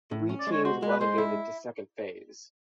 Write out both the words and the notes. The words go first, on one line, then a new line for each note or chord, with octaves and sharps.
Three teams relegated to Second Phase.
A2
C#4
D5
G#3 C#5
F#4 C5
G#3
B4
G#3 C5
E4